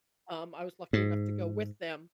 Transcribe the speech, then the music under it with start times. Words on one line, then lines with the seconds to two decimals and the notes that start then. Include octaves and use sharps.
um, I was lucky enough to go with them,
0.93 G#2